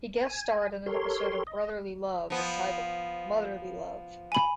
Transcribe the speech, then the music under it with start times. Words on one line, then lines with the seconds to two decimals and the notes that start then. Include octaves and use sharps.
He guest starred on an episode of "Brotherly Love" entitled "Motherly Love".
0.23 G#5
0.86 G4 A4 A#4 C#5 C6
1.47 D#5
2.30 F3 B3
4.32 G#5 B5